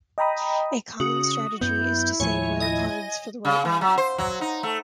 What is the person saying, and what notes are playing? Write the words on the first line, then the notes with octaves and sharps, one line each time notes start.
A common strategy is to save rare cards for the right moment.
D#5 G5 A#5 B5 D#6
C#3 F#4 D#6
F#2 B3 E4 G6
D#2 A2 F3 C#5 G#5
D#5 A#6
C#3
E3
F#3
C5
F#3
D#4
A3